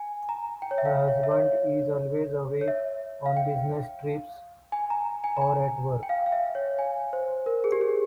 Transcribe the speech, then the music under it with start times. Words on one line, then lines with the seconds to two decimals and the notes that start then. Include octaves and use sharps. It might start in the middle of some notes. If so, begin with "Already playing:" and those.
Her husband is always away on business trips or at work.
Already playing: G#5
0.29 A#5
0.62 G5
0.71 C#5
0.78 E5
0.85 F5
1.08 C#5
1.23 E5
1.31 C#5
2.61 C#5
2.68 E5
3.26 F5
3.37 G5
4.72 G#5
4.90 A#5
5.24 G#5
5.37 A#5
5.41 G#5
6.03 G5
6.09 F5
6.26 F5
6.32 E5
6.55 C#5
6.79 G#5
7.13 C5
7.46 A#4
7.64 G#4
7.72 G4
7.81 G#4